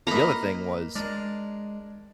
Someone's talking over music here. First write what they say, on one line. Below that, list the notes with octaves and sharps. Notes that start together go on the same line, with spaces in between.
the other thing was
A#3 B4 D#5 A#5 B5
G#3 D4 A#4